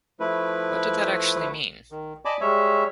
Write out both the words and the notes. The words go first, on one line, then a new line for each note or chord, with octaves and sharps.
What did that actually mean?
F3 A3 E4 B4
D#3
D5 D#5 G#5 A5 B5 D6
G3 G#3 C#5 E5